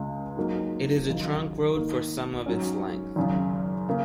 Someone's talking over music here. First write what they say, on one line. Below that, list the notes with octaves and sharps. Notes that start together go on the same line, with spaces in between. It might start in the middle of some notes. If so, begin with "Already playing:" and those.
It is a trunk road for some of its length.
Already playing: C#2 C#3 G#3
G#2 F#3 A#3 D#4
D#2 C#3 F#3 D#4
G#2 D#3 A#3
G#2 F#3 C#4
G#1 F#2 C#3
C#3 A#3